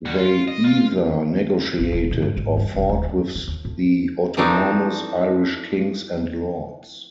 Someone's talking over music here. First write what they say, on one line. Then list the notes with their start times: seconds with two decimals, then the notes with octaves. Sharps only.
They either negotiated or fought with the autonomous Irish Kings and lords.
0.05 G3 F#4
0.18 F4
0.48 D#5
0.64 F4
1.79 A1
1.92 D#1
2.11 A#2
2.22 G1
2.36 G#1
2.57 G2
2.74 E1
2.89 D1
3.09 F#2
3.35 E3
3.48 D#2
3.65 A2
4.37 E3 F3 A3 C4 D4 D#4